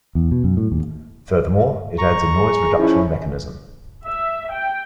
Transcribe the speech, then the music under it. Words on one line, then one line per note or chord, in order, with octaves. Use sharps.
Furthermore, it adds a noise reduction mechanism.
E2
B2
F#2
A2
D#2
A#5 C#6
G#4
F3 C#4 E4
E5
G5